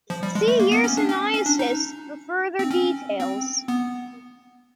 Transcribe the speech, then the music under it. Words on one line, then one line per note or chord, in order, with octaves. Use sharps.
See yersiniosis for further details.
F3
G3
G#3
A3
A#3
B3
C#4
D4
C#4
C#4
D4
D#4
C4
C#4
C4
B3